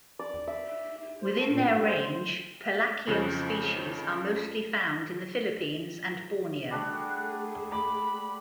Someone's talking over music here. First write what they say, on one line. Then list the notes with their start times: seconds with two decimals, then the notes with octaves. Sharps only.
Within their range, "Palaquium" species are mostly found in the Philippines and Borneo.
0.19 D5
0.47 E5
1.23 C5
1.35 A3
1.48 A#2
1.61 G#2
1.76 G3
1.88 C5
3.07 F2 C#3 F3 F#6 G6
6.71 G3 A3 D4 F#4 G#4
7.72 B5 D6